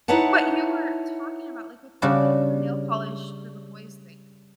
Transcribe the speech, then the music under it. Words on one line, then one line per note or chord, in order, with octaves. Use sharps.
like, what you were talking about, like, with the the nail polish for the boys thing,
D#4 E4 B4 C#5 F#5 A5
C#3 G3 D4 F#4 A5